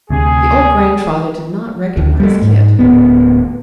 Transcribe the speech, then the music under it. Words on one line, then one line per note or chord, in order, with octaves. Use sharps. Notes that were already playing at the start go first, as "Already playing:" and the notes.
The old grandfather did not recognize Kit.
D2 C3 G#4
D2
G3 A3
G#2
D1 B3